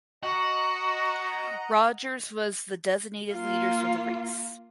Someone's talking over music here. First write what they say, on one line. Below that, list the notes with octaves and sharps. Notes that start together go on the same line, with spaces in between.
Rogers was the designated leader for the race.
F#4 D#5 F#5 A#5
A#3 F4